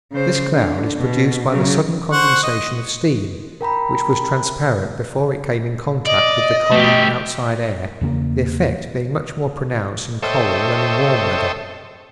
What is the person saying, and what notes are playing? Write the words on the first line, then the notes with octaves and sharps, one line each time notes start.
This cloud is produced by the sudden condensation of steam, which was transparent before it came in contact with the cold, outside air, the effect being much more pronounced in cold than in warm weather.
C#3 C5
D3
B2
C#3 F#3
C5 F#5 C#6
D#5
A#4 G5 A#5 B5
D5 D#5
A3 G4
E2 C#3 A#3
A4 C5 C#5 D#5 E5 G5